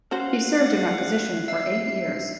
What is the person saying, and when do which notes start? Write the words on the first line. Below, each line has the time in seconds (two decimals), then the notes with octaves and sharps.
He served in that position for eight years.
0.11 C#4 F#4 C5 F5 F#5
1.48 E5 C7